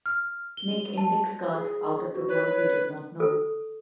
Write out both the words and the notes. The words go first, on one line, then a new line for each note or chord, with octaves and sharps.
Make index cards out of the words you did not know.
F6
G7
A5
G#4
F#4
B4 C#5
A4